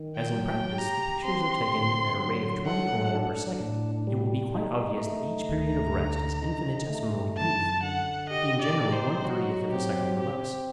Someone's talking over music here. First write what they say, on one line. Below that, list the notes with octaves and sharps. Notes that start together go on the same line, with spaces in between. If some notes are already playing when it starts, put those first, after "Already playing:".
As in practice the pictures are taken at a rate of twenty or more per second, it will be quite obvious that each period of rest is infinitesimally brief, being generally one-thirtieth of a second or less.
Already playing: D#3
G5
F#3
G5
G4 A#5
C4 C6
D3
F#3
A4 F#5
D4
A2
G3
D#4
A3
D2 A#5
D3
D#4
A3
F#2 A5
D3 F#5
G4 D#5
D5
D#4
C5
F#3 F#4
C4 G4
C4 G4